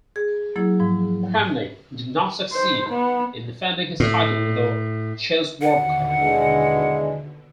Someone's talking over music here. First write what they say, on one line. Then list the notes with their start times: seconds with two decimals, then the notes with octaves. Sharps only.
Kramnik did not succeed in defending his title in the Chess World Cup.
0.16 G#4
0.56 F#3 A#3 E4 G#4
0.80 G#2 F3
2.53 C5
2.89 B3
4.00 A2
5.61 D#2 B2 D3 F#5
6.20 E3 G#3 D4